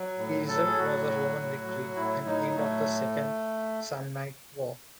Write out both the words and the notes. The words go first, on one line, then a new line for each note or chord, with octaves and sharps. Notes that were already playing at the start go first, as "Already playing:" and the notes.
The result was a Roman victory and end of the Second Samnite War.
Already playing: F#3
A2
F#3 A4
G#4
A2 F#4
F#3
A2
F#3
A2 E4
F#3 D#4
A2 A3